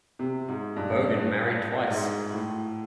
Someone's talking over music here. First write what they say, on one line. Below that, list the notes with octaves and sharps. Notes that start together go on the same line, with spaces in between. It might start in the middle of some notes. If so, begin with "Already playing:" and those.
Bogan married twice.
C3
G#2
G2
G#2
A2